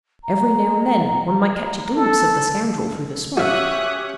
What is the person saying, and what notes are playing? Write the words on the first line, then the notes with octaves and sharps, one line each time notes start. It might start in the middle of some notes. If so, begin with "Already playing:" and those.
Every now and then one might catch a glimpse of the scoundrel through the smoke.
A#5
A4
C#4 F#4 G4 E5 F5 C#6 D#6 F#6